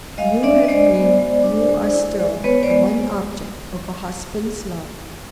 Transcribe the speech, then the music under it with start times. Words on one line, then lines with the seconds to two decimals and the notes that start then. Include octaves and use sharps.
You have been, you are still, the one object of a husband's love.
0.18 G#3 D#5 F5
0.43 D4 D5 E5
0.64 D#5
0.68 G#3 C5 D5
0.94 B3
1.19 G#3
1.44 D4
1.69 G#3
1.94 E4
2.20 G#3
2.44 B3 B4 C#5
2.63 C5 D5
2.70 G#3